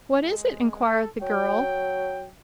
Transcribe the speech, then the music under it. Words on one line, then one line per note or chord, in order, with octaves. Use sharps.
"What is it?" enquired the girl.
G#3
A4
F#3 G5